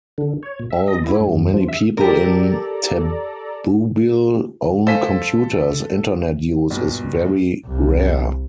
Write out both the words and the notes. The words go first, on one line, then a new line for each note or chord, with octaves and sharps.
Although many people in Tabubil own computers, Internet use is very rare.
D3
C#5
A#2
E5
D#5
E4
G2
F#2
F3
E5
G4 A4 A#4 D5 A#5
A4 C5 F5 G#5 B6
B1 G2 A#2
C2